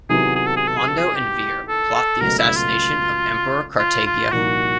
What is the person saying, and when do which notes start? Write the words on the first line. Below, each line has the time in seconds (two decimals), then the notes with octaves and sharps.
Londo and Vir plot the assassination of Emperor Cartagia.
0.09 C3 D#3 F#3 B3 E4 G#4
0.36 G#4
0.46 A4
0.57 G#4
0.67 A4
0.77 G#4
0.88 A4
0.98 G#4
1.15 G4
1.68 A4
1.95 A4
2.21 C#2 B2 F#3 A3 A#4
2.39 E4
2.56 F4
3.79 F4
4.06 F4
4.32 C2 A#2 F3 A#3 D#4 F#4